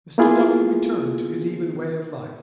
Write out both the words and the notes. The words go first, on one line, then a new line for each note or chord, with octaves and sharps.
Mr. Duffy returned to his even way of life.
A#3 B3 E4 F4 G#4